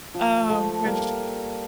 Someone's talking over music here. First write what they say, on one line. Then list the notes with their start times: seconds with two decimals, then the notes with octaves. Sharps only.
um, which
0.14 F3
0.49 F3 A3
0.85 G3 A#3